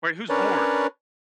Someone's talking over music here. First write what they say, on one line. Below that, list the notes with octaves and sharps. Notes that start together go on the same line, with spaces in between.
Wait, who's Ward?
C#4 D4 A#4 B4 C#5 D5